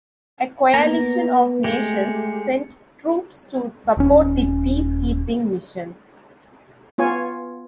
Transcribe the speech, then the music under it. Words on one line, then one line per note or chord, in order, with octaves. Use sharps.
A coalition of nations sent troops to support the peace keeping mission.
A#3 B3 A#5
G#3 A3 G4 C#7
D#1 C#4
B3 F4 C#5 G#5